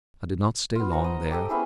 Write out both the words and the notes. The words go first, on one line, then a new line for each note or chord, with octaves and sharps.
I did not stay long there.
B3 F4
C5 F#5 A#5
D#5
G4 A4 D#5
B3 C#4 E4 G#4